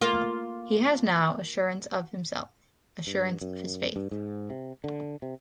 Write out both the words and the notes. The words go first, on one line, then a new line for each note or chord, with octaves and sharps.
He has now assurance of himself, assurance of his faith.
A#3 F4
G2
F#2
G2
G#2
C3
D3
C3